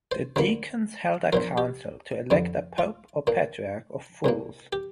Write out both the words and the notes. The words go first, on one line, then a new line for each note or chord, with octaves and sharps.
The deacons held a council to elect a Pope or Patriarch of Fools.
C5
D2 D3 G3 A#3
A#1 A#2 F3 A#4
G4
F2 D3 G3
F4
A#2 A#3
C2 A#2 A#3
G4